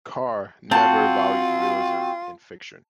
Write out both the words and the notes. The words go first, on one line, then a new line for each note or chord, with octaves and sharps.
Carr never valued realism in fiction.
C4 F4 F#4 A5